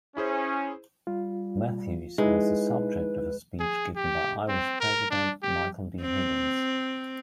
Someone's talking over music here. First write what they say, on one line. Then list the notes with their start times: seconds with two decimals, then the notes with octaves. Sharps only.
Matthews, was the subject of a speech given by Irish President Michael D. Higgins.
0.17 C#4 E4 G#4 C5
1.07 G3 F4
2.18 G#3 D#4 E4 B4
3.60 G#4
3.96 G4
4.48 C4
4.80 A#4
5.10 D4
5.43 G4
6.02 C4